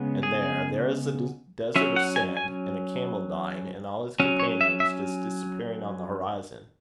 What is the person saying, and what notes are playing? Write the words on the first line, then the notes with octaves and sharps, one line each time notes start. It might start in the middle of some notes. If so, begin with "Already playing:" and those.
And there, there is a desert of sand, and a camel dying, and all his companions just disappearing on the horizon.
Already playing: C#3 G#3 B3
G#4
F#3 C#4 E5
F#5
G#5
G#5
F#3 C#4
C#5
E5
E5